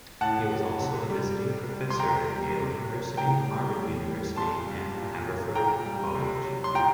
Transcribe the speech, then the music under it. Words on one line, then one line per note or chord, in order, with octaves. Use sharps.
He was also a visiting professor at Yale University, Harvard University and Haverford College.
A2 F#5 A5
F#3
C3
G3
C3
G3
C6
C3 G5 A#5
G3
C3
F#3
A2 G5 A#5
G3
A2
G3
A#2 A5 C6
G3
A#2
F#3
A#2 G5 A#5
G3
C3
F#3
C6
A#2 G5 A#5